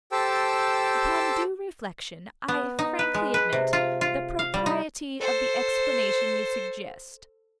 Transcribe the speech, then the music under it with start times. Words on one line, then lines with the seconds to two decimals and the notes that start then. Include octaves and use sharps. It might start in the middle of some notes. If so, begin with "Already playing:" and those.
Upon due reflection I frankly admit the propriety of the explanation you suggest.
0.12 G4 A4 C5 G5 A5 E6
2.48 B3
2.79 D#4
2.99 B4
3.14 G#3
3.34 B4
3.53 C3
3.73 F4
4.01 F4
4.39 F5
4.54 G3
4.66 D#4
5.20 A4 C5